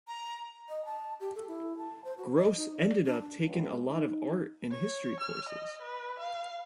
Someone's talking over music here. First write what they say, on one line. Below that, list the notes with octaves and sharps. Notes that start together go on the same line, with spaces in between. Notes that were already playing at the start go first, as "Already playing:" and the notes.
Gross ended up taking a lot of art and history courses.
A#5
D#5
A5
G4
A4
E4
A5
C5
F#4
D#5
D#4
D5
D4
C#2
D#4
C#5
F6
D#5
B4
F5